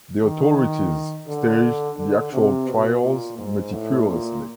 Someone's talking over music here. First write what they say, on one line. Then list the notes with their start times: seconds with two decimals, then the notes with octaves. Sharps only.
The authorities staged the actual trials meticulously.
0.24 D#3
1.28 D3
1.98 D3
2.33 C3
2.67 B2
3.03 A#2
3.38 G#2
3.72 A2
4.07 A#2